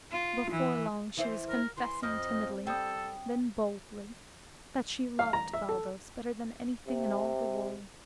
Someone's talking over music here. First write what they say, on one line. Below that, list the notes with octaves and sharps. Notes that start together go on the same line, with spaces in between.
Before long she was confessing timidly, then boldly, that she loved Baldos better than anything in all the world.
F4
E3
E3 E4 C5
A#4
E3 C6
F2 D#5 F6
G3 A4 G5 D#6
F5
A#5
E5
A4
C3